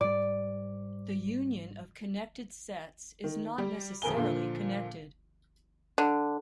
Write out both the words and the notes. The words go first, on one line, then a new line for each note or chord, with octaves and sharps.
The union of connected sets is not necessarily connected.
G#2 G3 D5
D#3
G3
D#1 F2 A#4 G#5 G7
A#2 D3 F3
D3